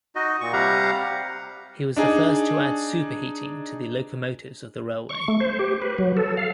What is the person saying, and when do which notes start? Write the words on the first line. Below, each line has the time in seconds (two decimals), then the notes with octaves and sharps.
He was the first to add superheating to the locomotives of the railway.
0.15 D#4 F#4 D#5
0.41 A#2 C#6
0.53 C3 G3 G4 F5 F#5 A#5
1.97 D4 D#4 G#4
5.09 C#6
5.28 A3
5.40 C5
5.59 G4
5.82 B4
5.98 F#3
6.17 A4
6.37 F5